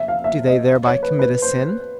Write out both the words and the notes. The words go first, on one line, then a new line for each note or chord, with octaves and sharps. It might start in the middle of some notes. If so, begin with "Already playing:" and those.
Do they thereby commit a sin?
Already playing: E5
F5
E5
D#5
C#5
B4
B4
C5